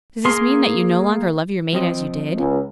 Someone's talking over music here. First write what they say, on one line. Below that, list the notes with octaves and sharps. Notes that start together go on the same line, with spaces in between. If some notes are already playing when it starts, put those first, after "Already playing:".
Does this mean that you no longer love your mate as you did?
A#3 G#4 A#4 C6
F3 C4 D#5
C#2